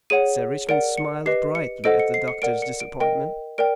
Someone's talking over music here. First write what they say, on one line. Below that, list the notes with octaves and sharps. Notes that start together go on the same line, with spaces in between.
Sir Richmond smiled brightly at the doctor's disappointment.
G#4 C#5 F#5 D#7
A#4 D5 F#5 D7
C#7
G4 B4 D#5 C7
C#7
A4 C5 D#5 F#5 D7
C#7
C7
C#7
A#4 D5 F#5 D7
C#7
D7
A#4 D#5 G5 D7
A#4 D5 G5 D7